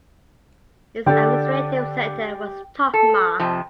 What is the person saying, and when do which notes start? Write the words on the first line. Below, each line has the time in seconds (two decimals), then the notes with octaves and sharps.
Its administrative centre was Totma.
1.06 D3 D4 G4 A4 D5
2.94 A4
3.40 F2 C3 F3